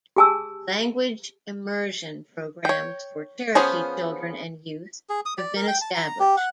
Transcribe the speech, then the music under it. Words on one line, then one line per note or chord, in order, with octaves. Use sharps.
Language immersion programs for Cherokee children and youth have been established.
G4 G#4 G#5 A5 E6
C#5 G5
F3 B3 C#4 G#4 C5
G#4
D#6
D5
A#4
G5
A5
A#5
G4
F#5